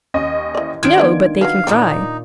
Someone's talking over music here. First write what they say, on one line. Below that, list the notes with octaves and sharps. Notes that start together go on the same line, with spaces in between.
No, but they can cry.
D#2 C#4 D#5
E3 D5
D#3 D4 F4 G#6 D7
B3 B4 F#5
F#3 A#3 B4 F5
A#2 A#3 C4 D#4 E4 D5